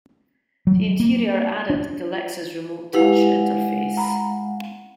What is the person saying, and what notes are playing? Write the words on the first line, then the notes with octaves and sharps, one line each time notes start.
The interior added the Lexus Remote Touch interface.
F#3
A#3
D4
G#3 E4 G4 B4 F5 F#5
A#5 B5